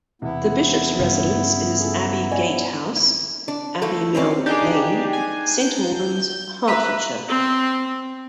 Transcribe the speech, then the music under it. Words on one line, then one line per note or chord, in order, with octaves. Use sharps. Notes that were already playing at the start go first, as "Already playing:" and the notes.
The Bishop's residence is Abbey Gate House, Abbey Mill Lane, Saint Albans, Hertfordshire.
E2 C3 B3 E4
G2 C#3
G#4 A4
C#5 D5 G#5
E4
D4
A3 A#3 E4 A4
C4 C#4 E4 F#4 D5
D4 D#4 G4 G#4
G#5
G6
B4 E5 A#5
C4